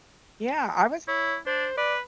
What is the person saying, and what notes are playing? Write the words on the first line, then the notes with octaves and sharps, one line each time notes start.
Yeah, I was
E4 C#5
D4 C5
B4 D5